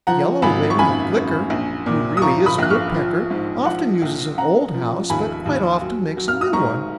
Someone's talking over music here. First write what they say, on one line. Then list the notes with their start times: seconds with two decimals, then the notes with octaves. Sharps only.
Yellow Wing the flicker, who really is a Woodpecker, often uses an old house, but quite often makes a new one.
0.07 F3 F#5 A#5
0.42 G#1 G#5 B5
0.70 C#6
0.79 F#2 G#5 B5
1.14 F#2
1.50 A#1
1.86 A#2
2.17 D#6
2.22 F3 A#5 C#6
2.46 B5 D#6
2.58 A#1 F#6
2.70 C#6 F6
2.94 F3
3.30 G#2
3.65 F3 F#5
4.02 A#1
4.37 C#3 F#5 A#5
4.74 F3
5.10 D#2 G#5 B5
5.46 D#2
5.82 F#3
6.17 F#3
6.28 F6
6.41 D#6
6.53 G#2 A#5 C#6